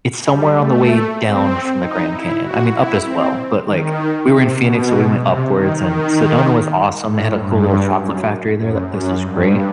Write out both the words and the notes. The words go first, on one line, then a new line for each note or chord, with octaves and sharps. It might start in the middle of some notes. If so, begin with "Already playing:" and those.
it's somewhere on the way down from the Grand Canyon, I mean, up as well, but, like, we were in Phoenix, so we went upwards, and Sedona was awesome, they had a cool little chocolate factory there, that place was great.
G3
A3
C4
D#4
E4
F#4
E4
C4
D#3
C3
B2
C3
D#3
D#3
A2
G2
F#2
F#2
F#2
G2